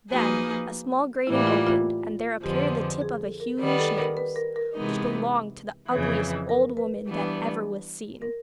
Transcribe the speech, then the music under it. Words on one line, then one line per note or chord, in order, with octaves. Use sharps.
Then a small grating opened, and there appeared the tip of a huge nose, which belonged to the ugliest old woman that ever was seen.
F3 A#3 D#4 F#4 G#4 B4
A2 E3 G3 A#3 E4
F4
F4
F2 D3 F3 G#3 B3 G4
G#4
A4
A#4
D#3 G3 B3
A4
A#4
B4
A#4
A#4
C3 E3 G#3 B3 D#4
F2 C#3 E3 B4
A#4
B4
E3 G3 B3 D4
A#4